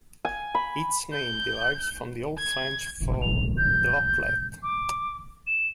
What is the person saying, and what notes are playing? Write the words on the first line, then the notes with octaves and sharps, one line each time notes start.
Its name derives from the Old French for "droplet".
G#5
B5
G6
G#6
F7
G6
D6
E7